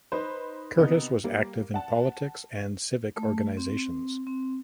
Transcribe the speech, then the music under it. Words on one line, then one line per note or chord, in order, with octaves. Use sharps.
Curtis was active in politics and civic organizations.
D#4 B4 C5
C3 B3 D#4
G3 A#3
F#5 A5
A3
C4
C4